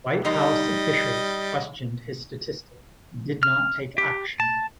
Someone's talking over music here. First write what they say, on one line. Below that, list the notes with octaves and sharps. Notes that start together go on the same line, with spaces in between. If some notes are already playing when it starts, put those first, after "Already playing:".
White House officials questioned his statistics and did not take action.
G3 D#4 D#5 A#5 C6
F6
G4
A5